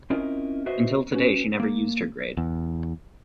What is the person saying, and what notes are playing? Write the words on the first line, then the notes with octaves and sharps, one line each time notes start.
Until today she never used her grade.
C4 C#4 E4 F4 A#4 D#5
F#4 B4 C5 D#5 E5
C#4 F#4 B4
A#3
E2